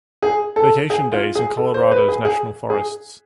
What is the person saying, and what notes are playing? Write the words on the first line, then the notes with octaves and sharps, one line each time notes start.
Vacation days in Colorado's national forests.
G#4
A4
G#4
F4
G#4
A4
C5
B4
G#4
G#4
G#4